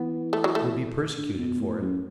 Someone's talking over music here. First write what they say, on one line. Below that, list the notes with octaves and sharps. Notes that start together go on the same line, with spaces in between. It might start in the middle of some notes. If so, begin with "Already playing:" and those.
We'll be persecuted for it.
Already playing: E3 B3
A3
F#3
A3
D3
B2
A2
F#2